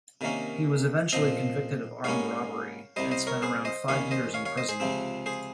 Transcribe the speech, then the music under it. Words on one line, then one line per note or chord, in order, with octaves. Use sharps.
He was eventually convicted of armed robbery and spent around five years in prison.
C3 D#3 A#3 C#4
A#2 F3 C4 C5 D#5
G#2 G3 A#3 C#4 C#5 F5
C2 C3 G3 C5 D#5
C5 D#5
A#4 C#5
G#4 C5
C5 D#5
D#2 D#3 G3 C#4 C#5 F5
C5 D#5
C#5 F5
C#5 F5
C5 D#5
G#4 C5
C#2 C3 F3 C4
G#4 C5